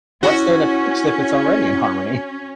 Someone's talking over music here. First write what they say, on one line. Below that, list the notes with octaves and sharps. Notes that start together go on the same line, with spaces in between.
What's there to fix, if it's already in harmony?
C#4 E4 F#4